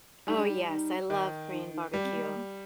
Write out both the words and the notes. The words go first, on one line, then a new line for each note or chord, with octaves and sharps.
Oh, yes, I love Korean barbecue.
G3 D#4
D4
D#4
F4
D#4
D#3
D#4
D#4
G3
C4
A#3
G#3
A#3